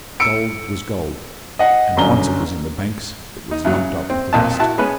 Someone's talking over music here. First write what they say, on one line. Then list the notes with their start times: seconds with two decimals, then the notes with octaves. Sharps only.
Gold was gold, and once it was in the banks it was lumped up with the rest.
0.20 E6 C#7 D7
1.59 D#5 F#5
1.97 G1 F#2 A#5 G7
3.51 D#4
3.64 E2 C#3 F#3
4.10 C4
4.33 B1 F2 A#2 D#5 A5
4.60 E4 F#4 A5
4.78 G#3 B3 C#4 B4